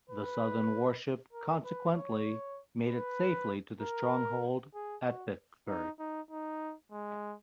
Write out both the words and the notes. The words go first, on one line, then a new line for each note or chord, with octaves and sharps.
The Southern warship, consequently, made it safely to the stronghold at Vicksburg.
B4
A#4
B4
C#5
B4
A#4
G#4
F#4
D#4
D#4
D#4
G#3